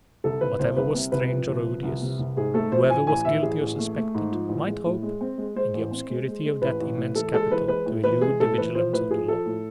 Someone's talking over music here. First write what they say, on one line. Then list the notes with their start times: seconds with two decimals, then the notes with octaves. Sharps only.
Whatever was strange or odious, whoever was guilty or suspected, might hope, in the obscurity of that immense capital, to elude the vigilance of the law.
0.24 C2 A4
0.41 C2 B4
0.59 C2 C5
0.76 C2 B4
0.94 C3
1.12 C2 B4
1.31 F3
1.48 C2
1.66 F3
1.83 C2
2.02 C3
2.19 C2
2.36 G#2 G#4
2.54 A3 A4
2.72 F3 C5
2.89 A1 G#5
3.07 A1 G#5
3.25 A1 E5
3.42 A1 G#4
3.61 A1
3.79 A3
3.97 A3
4.15 G#2
4.32 F3
4.49 A1
4.67 G#3
4.86 A2
5.02 G#3
5.21 C4
5.38 G#3
5.55 G#3 C5
5.74 A1
5.91 C4
6.10 G#3
6.27 G#3
6.45 G#3
6.62 A1 B4
6.80 A1
6.97 A2
7.15 E3 A4
7.33 G#3 A4
7.50 E3 B4
7.68 G#3 B4
7.86 A2
8.04 E3 B4
8.21 G#3 G#4
8.40 A2 A4
8.58 E3 B4
8.75 F3 C5
8.93 A2 B4
9.10 F3 G#4
9.28 F3 A4
9.46 A2